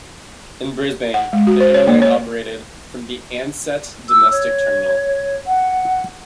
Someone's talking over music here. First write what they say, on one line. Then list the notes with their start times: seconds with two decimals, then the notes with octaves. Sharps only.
In Brisbane, the airline operated from the Ansett Domestic terminal.
1.14 F#5
1.33 G#3
1.47 F#4
1.60 C5
1.74 C#5
1.87 A#3
2.02 C#5
4.09 E6
4.31 C#5
5.47 F#5